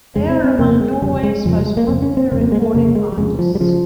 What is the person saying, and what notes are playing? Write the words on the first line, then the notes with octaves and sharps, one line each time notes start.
They are among Norway's most popular recording artists.
F2 C#3 G#3
C4
C4
F2 C#3 A#3
G#3
F2 C#3 G3
G#3
F2 C#3 F3
G3
G#3
A#3
F2 C#3 C4
C#4
C4
F2 C#3 C4
A#3
G#3
A#3
F2 C#3 A#3
G#3
G3
F2 C#3 G#3
F3
G3
C#3 F3